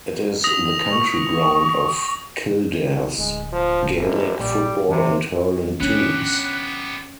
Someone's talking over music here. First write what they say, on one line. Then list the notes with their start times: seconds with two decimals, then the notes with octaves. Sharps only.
It is the county ground of Kildare's gaelic football and hurling teams.
0.44 D#6 A#6 F7
0.91 C#6
2.82 G#1
3.18 D1 G#3
3.52 F3
3.96 F1
4.40 A#1 G3
4.89 E2 C3
5.80 D#3 B3 C#4 D4 G4 F#6